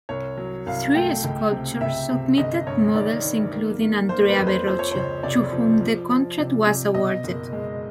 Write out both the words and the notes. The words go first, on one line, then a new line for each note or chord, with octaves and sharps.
Three sculptors submitted models including Andrea Verrocchio to whom the contract was awarded.
C2 C#5
F#3
C2 F5
A3 G5
C#2
C3
C#2 E5
C3
G1 D#5
G2 C#5
D#3 D5
D#3
A#3
A#3
A#3 C5
B4
F2
C5
F3 C5
C#5
C#2 C5
C3 D5
F3
F3
F3
C3
C3
B2 D#5
F#1
G#3